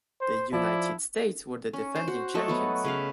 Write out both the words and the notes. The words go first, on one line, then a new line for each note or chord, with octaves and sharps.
The United States were the defending champions.
C5
F3 E4 D5
C#4
C5
F#4
F#3 A3 A4 D#5
F#3 B3 F#4
C#3 B4 F5